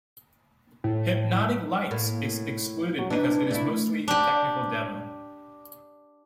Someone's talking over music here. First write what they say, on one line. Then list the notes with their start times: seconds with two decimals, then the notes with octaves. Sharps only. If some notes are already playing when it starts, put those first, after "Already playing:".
"Hypnotic Lights" is excluded because it is mostly a technical demo.
0.84 A2
1.91 A2 A#3
2.99 F#3
3.10 E3 D4 D#4
3.51 A3 E4
4.08 D4 G4